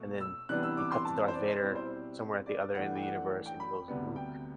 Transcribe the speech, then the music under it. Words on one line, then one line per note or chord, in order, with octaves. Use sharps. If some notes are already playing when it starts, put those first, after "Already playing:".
and then, you cut to Darth Vader, somewhere at the other end of the universe, and he goes, "Luke,"
Already playing: B2 A3
E6
C3 E3 G3 B3 D4 F#6
E6
D6
C6
A5
C5
D5
C5
B2 G3 C4 E4
C5
D5
G2 E3 A3 D4 F#5
G5
F#5
G5
B5
D2 C3 G3 B3
G5